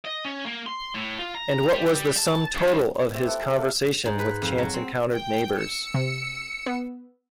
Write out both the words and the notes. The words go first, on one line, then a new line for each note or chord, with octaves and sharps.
And what was the sum total of his conversation with chance-encountered neighbours?
D#5
C#4
A#3
C6
A2
F4
A#5
G3
A5
G2
C4 G4 E5
E4 A4 B4
G#4
A4 A#4 D5 F5
G#2
B4
F2
F#3
C4
G5
E6 C#7
C3
B3